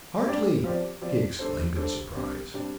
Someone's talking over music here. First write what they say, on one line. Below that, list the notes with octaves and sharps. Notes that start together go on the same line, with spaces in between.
"Hartly!" he exclaimed, in surprise.
G3 D4 G4 D5
F3 C4 G4 D5
F3 C4 G4 D5
G3 D4 A4 C5
G3 D4 A4 C5
C3 G3 D4
C3 G3 D4